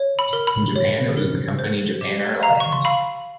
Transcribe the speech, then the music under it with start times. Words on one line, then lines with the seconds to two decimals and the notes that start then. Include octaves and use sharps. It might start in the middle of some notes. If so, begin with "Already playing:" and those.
In Japan it was the company Japan Airlines.
Already playing: C#5
0.19 B5
0.33 A#4
0.47 B5
0.76 C#5
1.17 A#4
1.59 C5
2.01 G4
2.43 F5 A#5
2.60 C#6
2.72 C6
2.85 F5 B5